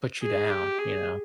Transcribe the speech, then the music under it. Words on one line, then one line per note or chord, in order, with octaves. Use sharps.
put you down, you know?
G#4
G4
G#4